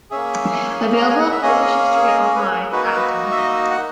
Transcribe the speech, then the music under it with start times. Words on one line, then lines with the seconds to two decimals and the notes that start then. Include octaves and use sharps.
Available at British History Online: Abdon.
0.11 A#3 C#4 G#4 E5
0.96 A#5
1.08 G#5
1.19 F#5
1.31 E5
1.42 A#3 C#4 G#4 D#5
2.07 D#5
2.35 B4
2.39 C#5
2.72 A#3 D#4 F#4 B4
2.85 A#4
2.95 B4
3.31 E5
3.37 D#5
3.71 F#5